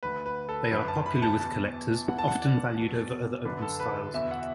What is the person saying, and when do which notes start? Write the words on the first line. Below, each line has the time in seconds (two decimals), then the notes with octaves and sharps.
They are popular with collectors, often valued over other open styles.
0.03 D2 D3 B4
0.26 B4
0.49 A4
0.71 F#2 D3 B4
0.88 A5
1.06 B5
1.22 A5
1.40 E2 B2 A5
2.08 E2 E3 F#5
2.18 A5
2.28 F#5
2.42 D5
2.76 E2 B2
3.45 F#2 D3 B4
3.62 A4
3.80 B4
4.14 E2 B2 E5
4.31 F#5